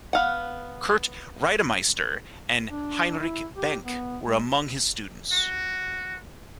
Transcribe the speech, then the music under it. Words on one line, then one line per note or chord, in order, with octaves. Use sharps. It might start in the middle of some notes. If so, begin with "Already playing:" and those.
Kurt Reidemeister and Heinrich Behnke were among his students.
B3 F5 F#5
D4
E4
G4
B3
G#3
F#4